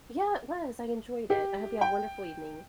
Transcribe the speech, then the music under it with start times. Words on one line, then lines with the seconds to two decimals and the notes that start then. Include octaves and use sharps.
Yeah, it was, I enjoyed it, I hope you have a wonderful evening.
1.30 G4
1.81 G5